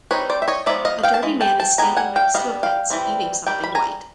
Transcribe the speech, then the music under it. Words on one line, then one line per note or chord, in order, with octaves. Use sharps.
A dirty man is standing next to a fence, eating something white.
G3 C4 D#4 B4 C#5
C5 D5
E5
C#5 D#5
F3 G#3 B3 D#4 D5 E5
D#5 F5
F5 G5
A5
E3 G#3
G5 A5
G5 A5
G3 B3 D#4 G#5 A#5
F#5 G#5
F5 G5
G3 B3 D4 D#5 F5
F5 G5
E3 G3 C4
D#3 G3 G5
B5
G#5 A#5